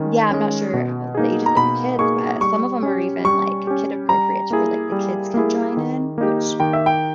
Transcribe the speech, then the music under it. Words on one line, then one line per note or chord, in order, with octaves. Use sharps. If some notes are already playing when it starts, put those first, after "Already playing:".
yeah, I'm not sure about the ages of your kids, but some of them are even, like, kid appropriate to where, like, the kids can join in, which
Already playing: D#3 G#3 C#4
G#3 C#4
B2
A#3 D#4 G#4
A#5
B2 B5
A#3 D#4 G#4 C#6
G3 C#6
C#4 G4
G3 C#6
C#4 G4
G3 A#5
A#3 E4 G#4
G3
A#3 E4 G#4
D#3
A#3 D#4 G4
D#3 G5
E5
G5